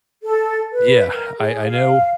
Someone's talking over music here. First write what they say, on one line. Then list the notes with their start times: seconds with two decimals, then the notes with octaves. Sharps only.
Yeah, I I know
0.23 A4
0.72 B4
1.11 A#4
1.38 G#4
1.65 F5